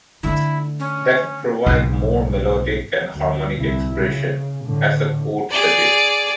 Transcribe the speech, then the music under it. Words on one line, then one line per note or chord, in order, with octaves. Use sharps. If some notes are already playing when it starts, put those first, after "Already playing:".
That would provide more melodic and harmonic expression, as the quote suggests.
D3 A3 E4
C#4
B1 G#2 C#3
D2
C2 E4
C#3
A2 D3
G#4 D5